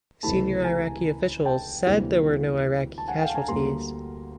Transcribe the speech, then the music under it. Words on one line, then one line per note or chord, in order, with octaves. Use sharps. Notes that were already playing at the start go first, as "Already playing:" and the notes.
Senior Iraqi officials said there were no Iraqi casualties.
C#2 C3 E3 A3 A5 B5
G#5 A#5
G5 A5
D2 C3 E3 G3 A#3
A5
F#5 G#5
F5 G5
A5
G#5 A#5
D2 D3 G3 A#3 A#5 C6